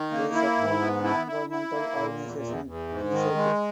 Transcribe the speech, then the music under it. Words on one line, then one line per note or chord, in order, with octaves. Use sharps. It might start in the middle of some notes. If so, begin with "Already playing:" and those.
They support nongovernmental organizations, he said.
Already playing: D#3
A#3
E4
G#2
B3
E4
E4
E4
A#3
A#2
E2
E2
E2
G#2
D#3
G#3